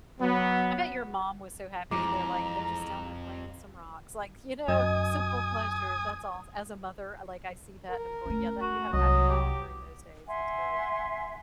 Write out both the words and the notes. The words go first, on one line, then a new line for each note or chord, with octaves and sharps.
I bet your mom was so happy there like, "They're just down there playing with some rocks, like, you know, simple pleasures, that's all." As a mother, like, I see that and I'm going, "Yeah, that" you had a happy mom during those days, that's great.
F#3 B3
F2 E3 F3 G#3 A#5 D6
F#2 D#5 G#5 D#6
A#4
A3 C#4
F#4
C2 F#3 D#5
G4
E5 F#5 G#5 C6